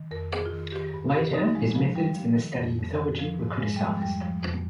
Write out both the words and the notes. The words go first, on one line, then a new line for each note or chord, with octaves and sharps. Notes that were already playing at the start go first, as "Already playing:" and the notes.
Later his methods in the study of mythology were criticized.
Already playing: D#3
F2 A#4
F2 G#4
F4
D#3
F4
D#3 G4
G2
F4
G2 G4
D#3 D#4
F3 G#3
G2 F3
G2 G3
F3
D#3
F2
F2
D#3
F3
G#2
G#2 G#3
G3
F3 G#3
F2 G3
F3
F2